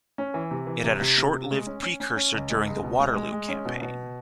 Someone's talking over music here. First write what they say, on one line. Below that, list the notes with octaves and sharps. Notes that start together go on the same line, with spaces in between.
It had a short-lived precursor during the Waterloo Campaign.
C#4
E3
C3
E3
C3
C3
C3
C3
G#3
C#4
C#4
C#4
C#4
C#2
G#3
C#2
B2
G#3
G#3
G#3
C#4
B2
B2